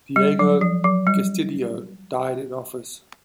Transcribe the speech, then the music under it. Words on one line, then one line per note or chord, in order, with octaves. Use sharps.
Diego Gestido died in office.
G3
F#3
F3
F#3
G3